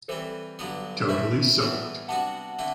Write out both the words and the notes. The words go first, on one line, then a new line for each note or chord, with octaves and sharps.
Totally soaked.
E3 G3 C4 A4 C5
G2 D3 F#3 B3
E3 A3 E4 C5 E5
A2 E3 G3 B3
C3 G3 B3 D4 F#4 F#5 A5
D3 A3 C4 E4